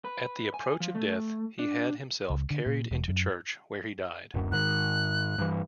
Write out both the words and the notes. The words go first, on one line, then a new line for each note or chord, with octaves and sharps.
At the approach of death he had himself carried into church, where he died.
B4
G#5
F3
A3
D4
C#2
D3
A#2
E1
F#2
D1 F#2
G#2 D#3 F#6
G2 E3